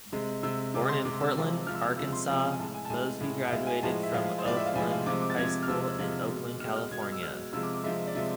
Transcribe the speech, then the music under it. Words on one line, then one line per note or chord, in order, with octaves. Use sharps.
Born in Portland, Arkansas, Moseby graduated from Oakland High School in Oakland, California.
C3 G#3
C3 G#3 E6
C3 G#3 D6
C6
C3 G#3 D6
E6
C3 F3 G#3
C3 F3 G#3 F6
E6
F6
C3 F3 G#3 E6
C6
C3 F3 G#3
G#5
A2 G#3 A5
G#5
A5
A2 G#3 G#5
A2 G#3
E5
A2 G#3 F5
G#5
A2 F3 G#3 A5
E5
A2 F3 G#3 F5
C5
A2 F3 G#3 D5
E5
F5
A2 F3 G#3 G#5
F5
C3 F3 G#3 D6
D6
A6
C3 F3 G#3 G#6
F6
C3 F3 G#3 E6
E6
C3 F3 G#3
B2 G#3
B2 G#3 F6
F6
B2 G#3 G#6
F6
E6
B2 G#3 F6
C3 F3 G#3 E6
D6
D6
C3 F3 G#3 E5
D5
C3 F3 G#3 E5